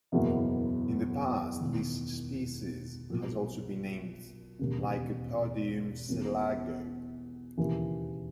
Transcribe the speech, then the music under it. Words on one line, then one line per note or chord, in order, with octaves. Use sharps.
In the past, this species has also been named "Lycopodium selago".
F#1 E2 B2 A#3 E4
E1 E2 D#3
B1 A#2 F#3
E1 D#2 C#3
E2 B2 A#3 C#4
E1 D#2 C#3 E3